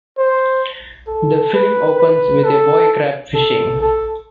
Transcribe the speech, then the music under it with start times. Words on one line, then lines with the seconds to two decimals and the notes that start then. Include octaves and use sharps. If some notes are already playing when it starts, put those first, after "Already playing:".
The film opens with a boy crab fishing.
0.18 C5
1.08 A4
1.54 B4
1.99 B4
2.44 A4
3.35 A4
3.81 A4